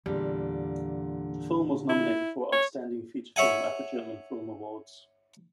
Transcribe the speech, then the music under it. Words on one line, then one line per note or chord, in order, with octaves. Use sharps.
The film was nominated for Outstanding Feature Film at the German Film Awards.
E2 A#2 D3 G3
E4
C#5
C#5 E5 F#5 G#5